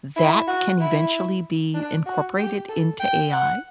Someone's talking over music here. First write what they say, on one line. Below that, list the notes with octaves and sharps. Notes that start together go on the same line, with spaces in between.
that can eventually be incorporated into AI?
E4
F#4
E4
D4
F#4
G4
A4
G5
F#5